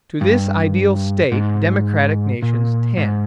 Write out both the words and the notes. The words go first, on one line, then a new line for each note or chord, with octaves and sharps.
To this ideal state democratic nations tend.
G2
G#2
A#2
G#2